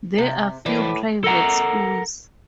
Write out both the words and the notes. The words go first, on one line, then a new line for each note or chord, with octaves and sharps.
There are few private schools.
C3
A2 E3 B4 C5 D5
A4 A#4 F#5 A#5